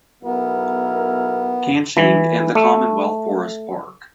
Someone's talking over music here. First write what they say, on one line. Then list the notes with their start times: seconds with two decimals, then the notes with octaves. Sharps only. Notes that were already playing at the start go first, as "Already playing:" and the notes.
Kanching, and the Commonwealth Forest Park.
0.23 B1 B3 E4 A#4
1.97 E3
2.55 A3